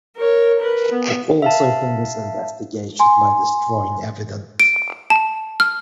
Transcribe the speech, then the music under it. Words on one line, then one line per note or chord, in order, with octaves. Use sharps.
It also hinders investigation by destroying evidence.
A#4 C#5
A#4 B4
B3
E5 F5 A5
G#5 C6
D7
A5
F6